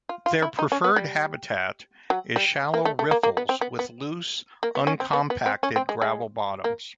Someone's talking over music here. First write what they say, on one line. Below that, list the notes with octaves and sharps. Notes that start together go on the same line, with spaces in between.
Their preferred habitat is shallow riffles with loose, uncompacted gravel bottoms.
F4
F4
E4
D#4
C#4
B3
G3
F#3
G3
A#3
A3
A3
A#3
A#3
B3
C4
B3
B3
A#3
B3
C#4
C4
B3
B3
C4
C#4
C4
G#3
G#3
A#3